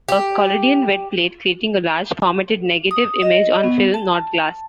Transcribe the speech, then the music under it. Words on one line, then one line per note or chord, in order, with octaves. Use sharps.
A collodion wet plate, creating a large formatted negative image on film not glass.
G4
D#6
D#5
B3
A5